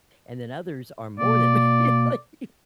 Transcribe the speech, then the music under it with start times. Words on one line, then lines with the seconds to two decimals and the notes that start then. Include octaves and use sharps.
and then others are more than ready to leave,
1.19 B2 A#3 D5